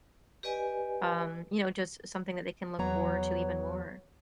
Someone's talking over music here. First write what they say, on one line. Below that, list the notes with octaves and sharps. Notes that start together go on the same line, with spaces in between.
um, you know, just something that they can look forward to even more.
G4 B4 D5 D#5 G#5
E2 F#3 B3 C#5 A#5